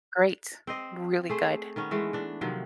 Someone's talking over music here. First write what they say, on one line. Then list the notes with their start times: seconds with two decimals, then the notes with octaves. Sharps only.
great, really good.
0.67 C4 C5 D#5
1.29 A3 G#4 C5
1.76 D#3 B3 C#4
1.91 E3 G#3 A3
2.13 E3 D4
2.41 C3 D#3 F3 F#3